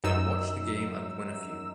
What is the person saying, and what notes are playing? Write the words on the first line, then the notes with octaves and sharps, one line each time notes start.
Then watch the game and win a few.
F#2 D#4 E6